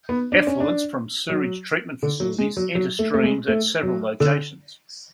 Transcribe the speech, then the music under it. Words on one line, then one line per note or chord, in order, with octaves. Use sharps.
Effluents from sewage treatment facilities enter streams at several locations.
B3
D4
C#4
D4
F#3
D3
F#3
G#3
F#3
F#3
A3
A3
G#3
A3
F#3
D3